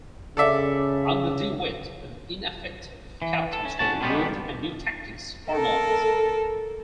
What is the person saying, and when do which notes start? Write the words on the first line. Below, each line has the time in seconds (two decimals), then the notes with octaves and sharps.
Under De Witt, ineffective captains were removed and new tactics formalised.
0.37 C#3 A4 D5 E5
3.22 E3
3.53 A4
3.65 C#4
3.79 F2 F3 C#4 F#4 A5
4.01 B2 D#3 E3 G3 G#3 B3
4.27 G2
5.48 A4 A#4